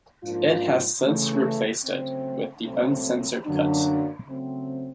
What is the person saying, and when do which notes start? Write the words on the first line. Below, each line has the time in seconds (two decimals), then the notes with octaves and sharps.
It has since replaced it with the uncensored cut.
0.23 G#2 F3 A#3 D4 F4
1.04 C#3 E3 A3
1.85 C#3 F#3 A3 C4
2.65 C2 A#2 F#3 A3 C4
3.46 F#2 D3 F#3 A#3 D4
4.27 C#3 F#3 A3 C4